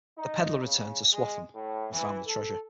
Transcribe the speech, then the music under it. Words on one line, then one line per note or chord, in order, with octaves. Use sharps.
The pedlar returned to Swaffham, and found the treasure.
D#4
C#3
G#3
A2
E3
A4